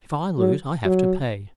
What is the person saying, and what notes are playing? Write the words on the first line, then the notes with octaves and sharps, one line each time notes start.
If I lose I have to pay.
F#3
F#3